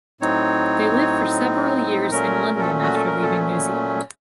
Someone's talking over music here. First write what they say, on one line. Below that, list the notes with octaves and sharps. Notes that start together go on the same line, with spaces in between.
They lived for several years in London after leaving New Zealand.
A2 F#3 C4 D#4 C#5
A#2 F#3 A3 C#4 A#4
A4
F#4
A4
A#4
A4